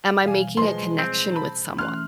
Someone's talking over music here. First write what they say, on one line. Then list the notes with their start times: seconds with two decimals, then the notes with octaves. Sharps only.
"Am I making a connection with someone?"
0.23 B2 E3 G3 F5 G#5
0.57 F3 G#3 G#4 B4 C6
0.99 C4
1.32 A5 B5
1.78 E3 A3 C#4 C6 F6 F#6